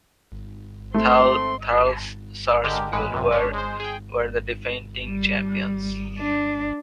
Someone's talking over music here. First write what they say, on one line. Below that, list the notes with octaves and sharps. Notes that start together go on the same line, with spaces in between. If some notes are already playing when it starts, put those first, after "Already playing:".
Thurles Sarsfields were the defending champions.
A3 C4 C6
D3 G#3 G4 A#4
A1 G#3 B4
F#2 C3
G#3 C#4 D4
G#3 C5
G#4 G5
G3
D4